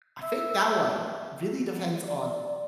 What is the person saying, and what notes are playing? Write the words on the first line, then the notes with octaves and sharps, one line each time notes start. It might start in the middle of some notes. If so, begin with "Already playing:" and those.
I think that one really depends on
E5
D5